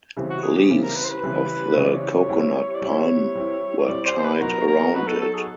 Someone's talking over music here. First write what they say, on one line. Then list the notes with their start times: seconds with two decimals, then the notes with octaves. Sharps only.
Leaves of the coconut palm were tied around it.
0.17 C#3 E3 G3 C4
0.30 F#4
0.43 G#4
0.56 G4
0.69 C#3 E3 G3 C4
0.83 A#4
0.96 B4
1.04 C5
1.09 B4
1.23 C#3 E3 G3 C4
1.75 C#3 E3 G3 C4 C#5
1.84 D5
1.94 C#5
2.29 G3 C4 E4
2.75 D5
2.82 G3 C4 E4 C#5
3.35 G3 C4 E4
3.78 C#5
3.88 G3 C4 E4 D5
4.06 C5
4.18 C5
4.24 B4
4.41 F#3 B3 D#4 F#4 A#4
4.68 A#4
4.94 F#3 B3 D#4 F#4 B4
5.07 A4
5.22 A4
5.35 G#4